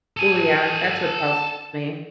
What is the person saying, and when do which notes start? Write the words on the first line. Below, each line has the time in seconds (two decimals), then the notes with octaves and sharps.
Ooh yeah, that's what tells me.
0.17 A4 G#5